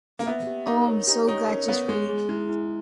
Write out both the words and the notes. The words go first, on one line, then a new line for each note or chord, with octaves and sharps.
Oh, I’m so glad she’s pretty.
A#3
B3 E5
G4
D#4 A#4
C#5
D#4 G4
D#4 C#5
C#4 A#4
B3 C#5
G#3 G#4
G#4
G#3 E4
E4